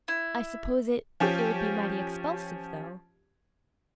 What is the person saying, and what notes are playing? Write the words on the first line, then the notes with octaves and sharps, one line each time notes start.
"I s'pose it--it would be mighty expulsive, though."
E4
F3 C#4 G4